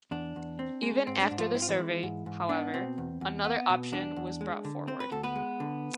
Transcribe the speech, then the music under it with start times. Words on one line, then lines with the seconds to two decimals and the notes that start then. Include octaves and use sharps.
Even after the survey, however, another option was brought forward.
0.11 E2 D4
0.36 E2
0.59 C4
0.82 G#3
1.07 G#2 C4
1.22 D4
1.31 G#2
1.39 F3 F4
1.54 C4 E4
1.62 F4
1.69 E3 E4
1.79 G#3
2.03 G#2
2.26 G#2
2.49 B3 D4
2.74 B2 C4
2.98 E2
3.21 E2
3.44 B3
3.70 B2
3.92 E2 D4
4.16 E2
4.41 G#3
4.65 D3
4.88 C4 C5
5.00 B4
5.11 D2 A4
5.23 B3 B4
5.35 G#3
5.60 D3